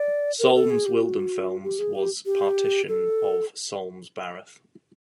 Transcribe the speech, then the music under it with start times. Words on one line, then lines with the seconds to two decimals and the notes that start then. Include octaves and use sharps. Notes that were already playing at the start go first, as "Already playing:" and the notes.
Solms-Wildenfels was a partition of Solms-Baruth.
Already playing: D5
0.39 A#4
0.55 A4
0.70 G#4
0.86 G4
1.01 F#4
1.64 G4
1.79 G#4
1.95 G4
2.26 G4
2.88 A4